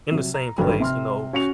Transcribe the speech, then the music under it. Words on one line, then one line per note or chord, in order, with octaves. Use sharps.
in the same place, you know
C3 F#3
A#5
G#1 G2 D3 F#3 G3
C3 C6 F6
C#4 F#4 C#7 F7